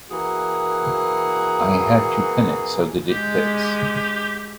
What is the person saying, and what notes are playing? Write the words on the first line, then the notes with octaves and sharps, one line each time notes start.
I had to pin it so that it fits.
E3 A#3 F#4 G#4
G#3 G4